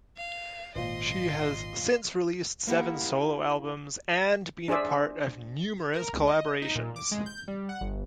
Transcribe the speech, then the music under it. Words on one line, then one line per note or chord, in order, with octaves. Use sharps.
She has since released seven solo albums and been a part of numerous collaborations.
F5
G#1 A#2 C5 D#5 C6
A#3 E4 G4 F#5
D4 G#4 C5 D5 E5
A#4
C#2
D#5
D#4
A#2
D6
G#3
G6
G3
F#5
G1